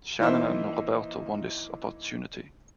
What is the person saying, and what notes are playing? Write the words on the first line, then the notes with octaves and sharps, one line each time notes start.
Shannon and Roberto won this opportunity.
E3 A#3 D#4 E4 C5 E5